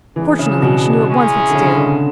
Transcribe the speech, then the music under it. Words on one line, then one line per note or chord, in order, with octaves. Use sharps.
Fortunately she knew at once what to do.
E3 B3 D4 G#4
C#3
B2
G#3 C#4 E4 G#4
D3
C#3
D3